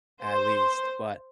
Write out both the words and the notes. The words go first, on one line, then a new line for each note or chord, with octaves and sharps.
At least, but,
C5